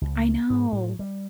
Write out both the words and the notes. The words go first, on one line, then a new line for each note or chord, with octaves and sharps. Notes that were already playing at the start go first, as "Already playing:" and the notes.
I know.
C#2
G#2
A2
G3